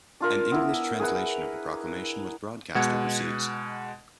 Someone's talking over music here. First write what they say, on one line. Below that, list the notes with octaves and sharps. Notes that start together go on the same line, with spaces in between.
An English translation of the proclamation was broadcast overseas.
D4 F4 A#4
B3 E4 A#4
G#4 A#4 B4 F#5
B2 G#3 F#5 G#6 C#7